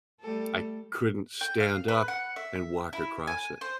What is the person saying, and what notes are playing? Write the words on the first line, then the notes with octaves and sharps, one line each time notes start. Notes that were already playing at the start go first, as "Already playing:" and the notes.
I couldn't stand up and walk across it.
G3 A3 A4
G5
F5
B4
F#5
E5
E4
G#5
C5